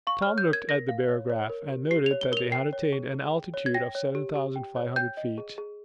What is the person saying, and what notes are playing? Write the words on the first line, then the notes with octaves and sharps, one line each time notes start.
Tom looked at the barograph, and noted that they had attained an altitude of seven thousand five hundred feet.
F5 C#6
C#5 F6
G6
A#4
G#6
A#4 A#6
F5
C#5
C#5
A#4
G4
G4 C7
C#5 F7
G7
A#4 F7 G7
G5 C7
C#5
G#4
G#4
G5
C#5
G#6
G5 A#6
C#5
G4
G4
G5
C#5
G5 G6
D#5
G#4
G#4